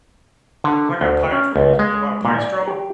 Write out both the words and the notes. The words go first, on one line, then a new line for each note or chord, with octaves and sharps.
'cause I got pine trees with a lot of pine straw
D3
D2
C#4
C#2
G#3
A#2
D5
G4